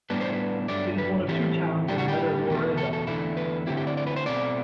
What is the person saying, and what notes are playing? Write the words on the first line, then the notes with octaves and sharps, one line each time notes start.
It is one of two towns in Meta woreda.
A2 G3 B3 D4 B4
C5
B4
G2 F#3 A3 D4 D5
B4
A2 E3 A3 C4 E4 G4
A2 G3 D4 G4
F#4
G4
E2 B2 A3
A4
A4
E2 D3 A3 E4
B4
D3 A3 C4 E4 G4
G4
D5
D5
B4
C5
B2 A3 C4 D5